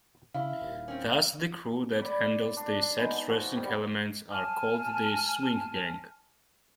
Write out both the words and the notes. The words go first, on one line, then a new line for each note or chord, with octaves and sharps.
Thus the crew that handles the set dressing elements are called the swing gang.
C#3 E4 F5
D#1
C4 C#4
D5 B5
D4
G#3 B3 D#4
F3 F#4 G#5
G3
G#5 A5 F6